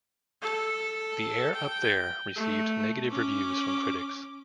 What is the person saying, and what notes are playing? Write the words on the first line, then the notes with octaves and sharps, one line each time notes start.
"The Air Up There" received negative reviews from critics.
A4
G5
A3
C#4 D6